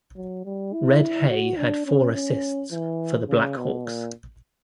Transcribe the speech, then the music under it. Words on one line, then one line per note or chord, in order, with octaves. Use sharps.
Red Hay had four assists for the Black Hawks.
F#3
G3
E4
F#4
D4
C#4
C#4
E3
C#3
B2
A#2